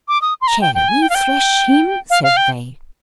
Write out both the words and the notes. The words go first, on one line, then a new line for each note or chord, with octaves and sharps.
"Shall we thrash him?" said they.
D6
D#6
C6
A#5
G5
G5
G#5
G5
F5
G5
F5
F5
G5